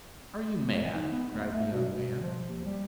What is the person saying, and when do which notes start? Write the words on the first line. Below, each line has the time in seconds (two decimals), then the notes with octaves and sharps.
"Are you mad?" cried the young man.
0.74 G#3
0.92 D#4
1.12 B3
1.31 D2
1.52 A3
1.71 B2
1.89 B2
2.22 F3
2.48 D#2
2.65 G3